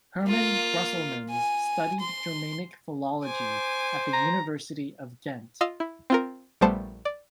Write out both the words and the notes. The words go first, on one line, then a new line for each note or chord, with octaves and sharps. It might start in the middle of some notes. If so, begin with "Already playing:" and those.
Herman Brusselmans studied Germanic philology at the University of Ghent.
A#3 F4
G#5
C6
C5 G#5 D6
A#5
F4 D#5 F5 E6
E4
C4 F4 A#4
A#1 G3 A3 B3 C5 A5
D5